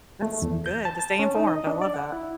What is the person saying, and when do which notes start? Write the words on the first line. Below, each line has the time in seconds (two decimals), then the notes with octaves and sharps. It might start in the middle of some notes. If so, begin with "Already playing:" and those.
That's good, to stay informed, I love that.
0.22 A3
0.42 E2
0.66 G6
0.85 A5
0.99 A5
1.19 C#4
1.35 D#4
1.47 D#5
1.67 D4
1.82 D5
1.94 F#5
2.13 E4